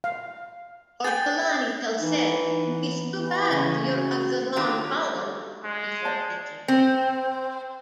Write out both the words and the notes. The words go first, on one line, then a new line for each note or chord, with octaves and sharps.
Ortolani tells Said, "It's too bad you're of the wrong color," before taking off.
F5
G#4 G5 A6
E3 D#4
B3
E3
C#3 C#4
F#4
D#3 F#3 A3 D4 F4 G4
G#3
C5 D5 A5
C4